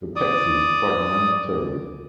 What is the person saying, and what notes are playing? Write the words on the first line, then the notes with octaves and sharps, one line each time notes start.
The text is fragmentary.
D5 D#6